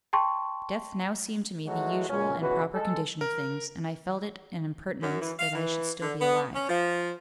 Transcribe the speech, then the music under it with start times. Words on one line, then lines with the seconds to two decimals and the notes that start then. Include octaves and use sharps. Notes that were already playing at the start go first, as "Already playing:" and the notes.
Death now seemed to me the usual and proper condition of things, and I felt it an impertinence that I should still be alive.
0.13 G5 A5 C6 C#6
1.67 E3 F#3 G#3 A3 F#4
2.09 C#2 A#2 C#4
2.41 C#2 B2 E3 F#4 B4
2.74 G#3 A4
3.21 A#4
5.01 F#2
5.21 E3
5.39 F5
5.55 E3
6.00 D3
6.21 B3
6.54 C#4
6.69 F3